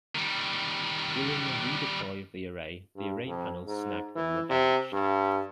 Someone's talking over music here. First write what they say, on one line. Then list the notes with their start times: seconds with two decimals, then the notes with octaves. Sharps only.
During the re-deploy of the array, the array panels snagged and were damaged.
0.15 D#3 G3
2.96 G2
3.27 F2
3.67 G#2
4.16 E3
4.50 C3
4.93 G2